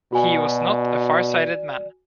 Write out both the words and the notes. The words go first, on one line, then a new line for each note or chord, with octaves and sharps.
He was not a far-sighted man.
B2 F#4 D5 G#5